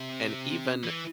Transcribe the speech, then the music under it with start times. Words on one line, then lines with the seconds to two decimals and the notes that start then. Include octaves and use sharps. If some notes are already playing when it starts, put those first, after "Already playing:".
and even
Already playing: C3
0.84 E3